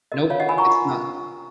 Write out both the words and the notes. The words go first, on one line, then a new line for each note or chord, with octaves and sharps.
Nope, it's not.
F#4 A#4 D#5
F4 C#5 F5
D#5 F#5
A#4 C#5 G#5 B5
A#5 C#6
F4